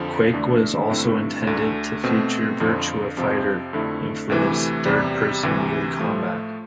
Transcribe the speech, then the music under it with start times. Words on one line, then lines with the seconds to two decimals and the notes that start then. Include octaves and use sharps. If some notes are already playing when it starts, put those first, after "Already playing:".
"Quake" was also intended to feature "Virtua Fighter" influenced third-person melee combat.
Already playing: F2 D3 F3
0.33 E2 D3 A3 D4
0.89 G2 D3 A3 C4 E4
1.47 D2 D3 A3
2.03 B2 A3 C4
2.60 F2 D3 F3
3.17 F2 C3 F3 C4
3.73 F2 D3 A3 E4
4.30 D2 C3 E3 A3 E4
4.85 E2 C3 G3
5.43 D2 C3 E3
5.99 A2 F3 A3